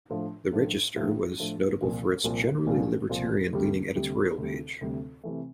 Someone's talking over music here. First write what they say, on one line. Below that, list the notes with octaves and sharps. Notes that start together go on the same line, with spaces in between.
The "Register" was notable for its generally libertarian-leaning editorial page.
A2 F3 A3 D4
A2 F3 A3 D4
A2 F3 A3 D4
A2 F3 A3 D4
C2 A#2 F3
C2 A#2 F3
C2 A#2 F3
C2 A#2 F3
D2 C3 G3
D2 C3 G3
D2 C3 G3
D2 C3 G3
C3 E3 A3